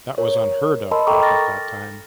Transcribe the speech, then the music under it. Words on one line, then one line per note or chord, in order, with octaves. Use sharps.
That was unheard of back at the time.
A#4 C#5
A#4 D#5 A5 B5 C6 E6
A4 G5 A#5 C#6 D6
F6 A6 A#6